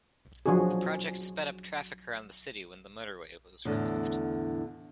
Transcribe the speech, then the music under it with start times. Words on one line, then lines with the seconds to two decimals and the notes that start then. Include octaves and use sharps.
The project sped up traffic around the city when the motorway was removed.
0.46 F3 F#3 D4 F#4 G#4
3.65 E2 A2 D3